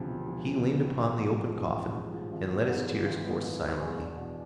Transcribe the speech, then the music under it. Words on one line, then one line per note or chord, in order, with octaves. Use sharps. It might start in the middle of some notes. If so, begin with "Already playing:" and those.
He leaned upon the open coffin and let his tears course silently.
Already playing: E1 D2 C3 F3
E1
F3
D2
C3
A1
A1
G#2
F3
A1
A1
G#2
F3
G#1
B3
G#2
E3
G#1
B3
G#2
E3
E2
D4
B2